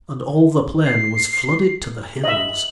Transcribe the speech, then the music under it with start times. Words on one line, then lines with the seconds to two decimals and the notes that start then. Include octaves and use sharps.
And all the plain was flooded to the hills.
0.86 C7
2.24 D#5 E5 F#7